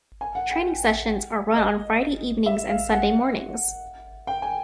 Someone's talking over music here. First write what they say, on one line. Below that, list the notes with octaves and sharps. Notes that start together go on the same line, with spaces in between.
Training sessions are run on Friday evenings and Sunday mornings.
G#5
F#5
G5
D#5
E5
F5
F#5
G5
G#5